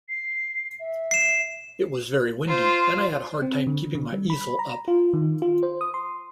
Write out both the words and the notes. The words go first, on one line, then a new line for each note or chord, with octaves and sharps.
It was very windy and I had a hard time keeping my easel up.
C7
E5
C7 E7
F4 C5
C4
D3
D3
G3
B5
A#5
F4
D#3
F4
C5
D#6
C6